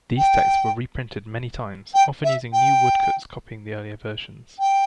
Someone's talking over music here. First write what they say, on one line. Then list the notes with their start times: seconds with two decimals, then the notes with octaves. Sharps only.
These texts were reprinted many times, often using new woodcuts copying the earlier versions.
0.17 G5
1.94 G5
2.24 E5
2.52 G5
4.59 G5